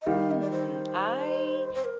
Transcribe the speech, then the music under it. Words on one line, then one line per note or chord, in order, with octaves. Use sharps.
Hmm, I
D#5
D#3 G3 F5
D#5
D5
C5
C5
A#4